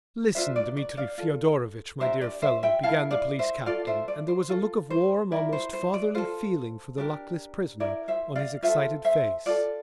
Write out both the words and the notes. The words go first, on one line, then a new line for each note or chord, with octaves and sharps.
"Listen, Dmitri Fyodorovitch, my dear fellow," began the police captain, and there was a look of warm, almost fatherly, feeling for the luckless prisoner on his excited face.
D4 F4 A#4 C5 E5
D5
D5
D5 F5
F4 A4
D4 G4 A#4 C5 E5
D5
C5 E5
E5 G5
E4 A#4 F5 A5
D5 F5
C5 E5
F4 A4 D5 F5
C5 E5
D5
C5
F4 A4
C5
E4 A#4 D5
C5
C5
D5
F4 A4 C5
D4 G4 A#4
E4 A#4 D5
C5 E5
D5 F5
F4 A4 C5 E5
C5 E5
F4 A4 D5